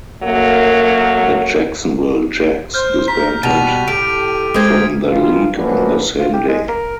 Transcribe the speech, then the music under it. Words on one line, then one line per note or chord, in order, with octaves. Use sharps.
The Jacksonville Jacks disbanded from the league on the same day.
F#2 F#3 A3 A#3
C5 F6 G6
A#5 B6
B2 G3 F#4 A6 D#7 F7
A2 G4 D7
G#3 C4 D#6 G#6 D7
D#3 E3 F#3 G#3 F4
F#2 F3 A#3 D4 F#4 B4
F4
G4
G#3
A#4